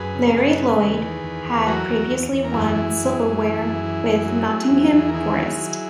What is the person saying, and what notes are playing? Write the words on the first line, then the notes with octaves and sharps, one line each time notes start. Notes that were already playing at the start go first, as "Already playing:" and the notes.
Larry Lloyd had previously won silverware with Nottingham Forest.
Already playing: F#2 G#4 B4
C#3
F#2
C#3
E2
D#3
E2
E2
F#3 F#4 A#4
E2
E2
E2
A#4
F#2 E4 G#4
E3
F#2
F#2
E3
F#2
E3
F#2
F#3
F#3
E2
E2
A#4
D#3 E4 G#4
F#3
F#3